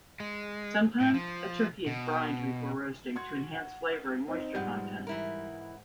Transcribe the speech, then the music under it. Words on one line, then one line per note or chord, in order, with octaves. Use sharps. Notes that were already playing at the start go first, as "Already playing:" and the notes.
Sometimes, a turkey is brined before roasting to enhance flavor and moisture content.
G#3
A2
F3
B2
F#4 C6 G#6
F#5
C4 D#4
G#2 B2 F3 G3 F#5 G6
E3 E4 A#4